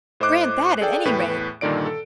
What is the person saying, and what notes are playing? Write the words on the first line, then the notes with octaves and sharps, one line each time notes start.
Grant that at any rate.
A2 C5 D#5 D6 F#6
G#4 A4 D5 G5
E2 A2 B4 G5
G2 A#2 D3 D#3 D5 D7
A4